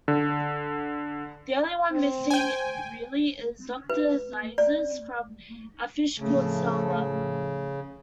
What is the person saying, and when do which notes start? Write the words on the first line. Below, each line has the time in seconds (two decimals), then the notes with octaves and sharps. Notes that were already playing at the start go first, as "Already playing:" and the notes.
The only one missing really is "Doctor Zaius" from "A Fish Called Selma".
0.08 D3
1.92 C4
2.30 C5 G5 G#5
3.90 B4
4.58 D5
6.19 A2 C#3 F3 A3